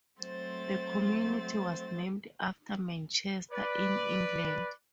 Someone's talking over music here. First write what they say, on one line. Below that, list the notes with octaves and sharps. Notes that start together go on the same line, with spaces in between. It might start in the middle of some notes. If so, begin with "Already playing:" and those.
The community was named after Manchester, in England.
F#3 A3 C4 C5 A6
B4 D5